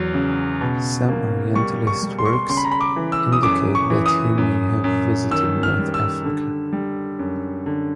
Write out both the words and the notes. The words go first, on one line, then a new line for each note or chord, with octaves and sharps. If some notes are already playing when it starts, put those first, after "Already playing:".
Some Orientalist works indicate that he may have visited North Africa.
Already playing: E2 F#3
C#3
B2
A#3
G3 C#6
C#6
G3
C6
C#6
C6
C#3 C6
B5
A#5
B5
D6
E3
E6
D#6
F#2 D6
C#6
E3
D#6
F#2
F#2
D#3 E6
F6
G3
E6
D3
G3
F#2
D3